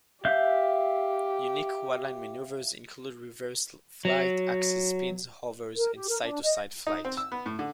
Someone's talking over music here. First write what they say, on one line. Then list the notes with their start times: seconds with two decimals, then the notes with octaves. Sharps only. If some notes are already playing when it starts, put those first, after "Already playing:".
Unique quadline maneuvers include reverse flight, axis spins, hovers, and side to side flight.
0.25 G4 E5 F5 G6
4.05 F#3
5.76 A#4
5.96 G4
6.08 A#4
6.22 D4
6.44 D#5
6.87 D#4
7.05 C4
7.17 E6
7.32 B3
7.46 A2
7.59 D3